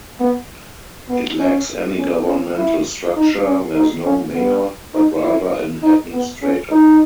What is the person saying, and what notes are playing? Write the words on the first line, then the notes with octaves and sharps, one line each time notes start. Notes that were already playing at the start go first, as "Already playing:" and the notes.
It lacks any governmental structure; there is no mayor but rather an "administrator".
B3
B3
C#4
C#4
C#4
E4
D#4
C#4
D#4
C#4
B3
D#4
E4
D#4
B3
C#4
D#4